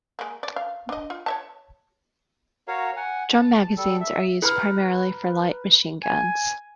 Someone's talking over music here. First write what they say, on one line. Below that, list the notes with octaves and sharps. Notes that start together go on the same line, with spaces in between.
Drum magazines are used primarily for light machine guns.
G#3 A#3
D5
F5
D4 D#5
F4
C#5 E5 A5
F#4 A#4 C#5 F5
F#5 G#5
A5
G3 A4
E5
E4 G#4 A4 B4 A#5 F6
G#5